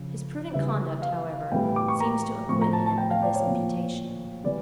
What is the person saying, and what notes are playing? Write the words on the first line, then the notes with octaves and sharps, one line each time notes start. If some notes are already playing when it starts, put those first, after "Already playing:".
His prudent conduct, however, seems to acquit him of this imputation.
Already playing: C#3 F3
C#3 E3 G3 E5
F5
A2 E3 G3 G5
D6
C#6
A#5
A2 F3 C#6
A#5
A5
A5
G5
F5
D5
C#5
A#2 F3
E3 G3 D5